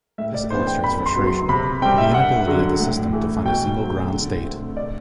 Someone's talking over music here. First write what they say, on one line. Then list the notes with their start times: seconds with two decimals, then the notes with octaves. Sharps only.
This illustrates frustration: the inability of the system to find a single ground state.
0.18 A2 E5
0.34 D5
0.50 E3 B3 D4 C5
0.67 G5
0.84 F#2 B5
1.06 C6
1.16 F#3 B3
1.27 C6
1.49 C3 B5
1.82 C4 G5
1.85 G3
1.98 E5
2.14 G2 F#5
2.47 D3 F#3
2.80 A2
3.12 E3 A3
3.45 B2 G5
3.78 F#3 A3 C4
4.11 D3
4.44 A3 C4
4.77 D5